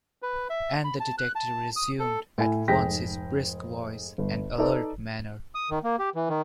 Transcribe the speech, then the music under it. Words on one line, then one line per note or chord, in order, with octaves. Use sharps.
And the detective resumed at once his brisk voice and alert manner.
B4
E5
B5
A5
F#6
A5
D#6
A4
A2 G#5
F1 G#2 G#4 G5 A#6 B6
G1
D#4 A4 B4 D5
D#6
D#3
A#3
G4
E3
D#3